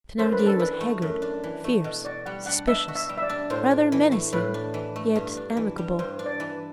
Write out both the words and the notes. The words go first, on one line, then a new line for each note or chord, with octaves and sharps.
Thenardier was haggard, fierce, suspicious, rather menacing, yet amicable.
F#2 C5
B4
D4
A4
E3 B4
A3
F#2
D4
E3
A3
B2
F#4 D5
G3 F#5
D4 F#5
B2 E5
F#4
E5
G3
E5
D5
D4
A2 C5
D4
E3
A3
A2 B4
D4
E3
A3
G2
D4
E3
G3
G2 C5
D4
D5
E3